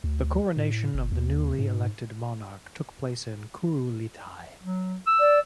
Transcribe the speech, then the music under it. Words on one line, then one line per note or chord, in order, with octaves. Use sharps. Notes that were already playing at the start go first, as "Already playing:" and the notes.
The coronation of the newly elected monarch took place on Kurultai.
D2
A2
G1
D#2
G#2
F#3
E6
D5